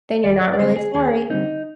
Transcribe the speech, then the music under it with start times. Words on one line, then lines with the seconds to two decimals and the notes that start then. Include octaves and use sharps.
Then you're not really sorry.
0.24 D#2 D5
0.41 D5
0.53 D5
0.59 D3 G3 C4 C5
0.76 G#4
0.94 D#2 G#4
1.30 D3 G3 C4 D#4